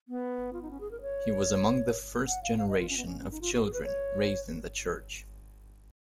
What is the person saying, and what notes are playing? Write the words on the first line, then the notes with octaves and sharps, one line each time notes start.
He was among the first generation of children raised in the church.
B3
F4
D#4
C#4
G#4
A#4
C#5
F#5
F5
F5
D#5
F4
C#4
B3
C#4
C#4
D#4
F4
F#4
G#4
B4
C#5